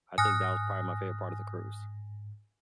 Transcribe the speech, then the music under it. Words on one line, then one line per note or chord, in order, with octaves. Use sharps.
I think that was probably my favorite part of the cruise.
G#2 G#5 D#6 F6 F#6 A#6